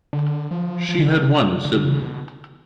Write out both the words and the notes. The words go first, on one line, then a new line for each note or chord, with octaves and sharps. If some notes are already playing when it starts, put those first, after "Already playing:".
She had one sibling.
D3
F3
F3
D3
C#3
D3
D3
C#3
B2